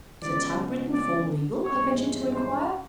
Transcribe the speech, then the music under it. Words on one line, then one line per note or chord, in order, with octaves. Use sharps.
'Is a typewritten form legal?' I ventured to inquire.
C#2 B2 G#3 C#4 D5
D5
G#1 G2 E3 G#3 C#4 C#5
C5